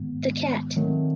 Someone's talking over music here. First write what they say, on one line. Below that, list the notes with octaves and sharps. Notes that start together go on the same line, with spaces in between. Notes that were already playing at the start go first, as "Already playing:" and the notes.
The Cat.
Already playing: G#2 D#3 G#3 B3
D#3 F#3 A3 C4